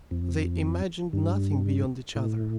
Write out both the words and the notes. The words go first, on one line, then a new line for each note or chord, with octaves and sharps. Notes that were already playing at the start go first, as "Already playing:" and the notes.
They imagined nothing beyond each other.
F2
G2
A2